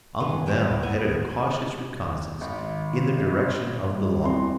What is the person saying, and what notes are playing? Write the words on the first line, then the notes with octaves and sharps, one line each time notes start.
Uncle Dan'l headed a cautious reconnaissance in the direction of the log.
D#3 B3 G#4
G3 D6
B3 E4 G#5
G#1 D#3
G3
E3 C4 C6